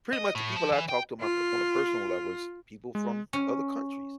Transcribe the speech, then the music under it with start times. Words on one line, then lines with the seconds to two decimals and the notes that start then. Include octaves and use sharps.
pretty much the people I talk to my per on a personal level is people from other countries
0.13 D#5
0.35 A2
0.56 F3
0.72 E3
0.89 G5
1.21 F4
2.95 G#3
3.33 C#4